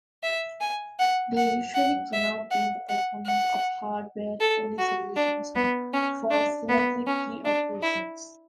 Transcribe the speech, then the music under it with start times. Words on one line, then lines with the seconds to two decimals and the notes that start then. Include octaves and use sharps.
They usually cannot beat the performance of hardware-only solutions for symmetric key operations.
0.23 E5
0.60 G#5
0.99 F#5
1.37 F#5
1.75 F#5
2.13 E5
2.51 F#5
2.89 F#5
3.26 F#5
4.41 A4
4.78 F#4
5.16 D4
5.54 B3
5.93 C#4
6.31 D4
6.69 B3
7.06 C#4
7.45 D4
7.83 E4